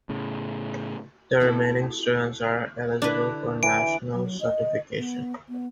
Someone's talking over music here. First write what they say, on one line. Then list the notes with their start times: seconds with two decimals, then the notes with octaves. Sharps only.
The remaining students are eligible for national certification.
0.09 A2 C#3
1.40 C4 E4 A4
3.02 D3 D4 E4 B4
3.63 E3 D7
4.14 F#3
4.41 D#5
4.97 B3
5.49 B3